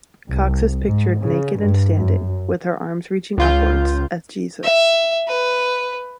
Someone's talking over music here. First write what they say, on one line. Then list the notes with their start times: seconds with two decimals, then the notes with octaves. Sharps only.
Cox is pictured naked and standing, with her arms reaching upwards, as Jesus.
0.28 C2
0.85 G#2
1.21 C#3
1.60 G2
1.98 F#2
3.38 C#2 F4 G6
4.63 E5
5.28 B4